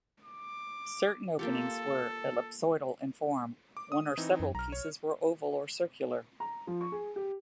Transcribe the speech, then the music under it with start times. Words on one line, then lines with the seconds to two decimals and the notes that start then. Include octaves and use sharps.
Certain openings were ellipsoidal in form, one or several pieces were oval or circular.
0.23 D6
1.39 A#3 F4 G4 A4
3.77 D6
3.92 D#6
4.17 E3 C4 D#4
4.40 F#2
4.55 B1 A#5 F6
4.72 C#5
6.40 A#5
6.67 F3
6.81 C#6
6.92 G#4
7.16 G4